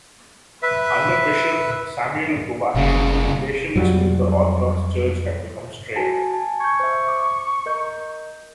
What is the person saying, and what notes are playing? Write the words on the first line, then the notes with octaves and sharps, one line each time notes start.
Under Bishop Samuel Gobat, relations with the Orthodox Church had become strained.
B4 E5
F#1 C2 C#3
F2 F#3 G3
F#4 G#5 A5
G#5 A5
C#6 G6 G#6
C5 E5
D6
A#4 D#5 G6